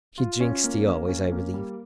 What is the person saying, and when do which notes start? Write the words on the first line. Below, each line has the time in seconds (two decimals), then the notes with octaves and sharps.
She drinks tea always, I believe.
0.18 F4
0.40 C#4
0.64 A#3
0.86 A#3
1.09 C#4
1.32 A#3
1.54 G3